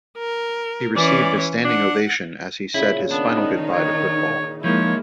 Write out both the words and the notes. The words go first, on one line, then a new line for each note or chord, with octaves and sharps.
He received a standing ovation as he said his final goodbye to football.
A#4
E3 C#4 D5
D4 F#5
A#2 C#3 E4
D#3 B3 D4 D#4
C#5
F3 G#3 A#3 D#4 E4 C#5